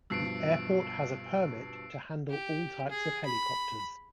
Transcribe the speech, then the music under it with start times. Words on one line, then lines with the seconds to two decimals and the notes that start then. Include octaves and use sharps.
The airport has a permit to handle all types of helicopters.
0.10 G2 B2 F3 E6 C7 D7
2.30 G4
2.90 G#4
3.25 B5